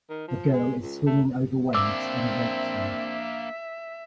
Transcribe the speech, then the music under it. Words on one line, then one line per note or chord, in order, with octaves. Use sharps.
A girl is swinging over waves on a rope swing.
D#3
F3
G#3
C#2
A3
A#3 C4 D4 E5 D6 E6